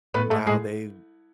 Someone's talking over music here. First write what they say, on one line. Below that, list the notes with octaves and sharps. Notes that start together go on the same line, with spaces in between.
now they've
A2 B3 B4
G#2 A3 A4
A2 G#3 G#4